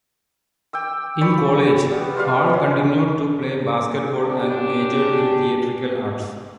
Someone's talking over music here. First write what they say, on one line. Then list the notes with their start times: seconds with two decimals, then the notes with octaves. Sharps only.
In college, Hall continued to play basketball and majored in Theatrical Arts.
0.73 G5 D6 E6
1.21 D5 G5 B5 C#6
1.91 G3 B3
2.16 F4 B4 D5 F5
2.49 G#3 C#4
4.21 C#4 D4 G4